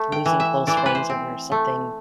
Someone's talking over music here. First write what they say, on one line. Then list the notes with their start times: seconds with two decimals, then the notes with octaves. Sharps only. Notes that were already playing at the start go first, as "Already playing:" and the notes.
losing close friends over something
Already playing: A3
0.12 G5
0.26 E3
0.40 E5
0.67 E3 D5
0.77 C5
0.86 B4
0.95 C5
1.10 C4
1.52 A3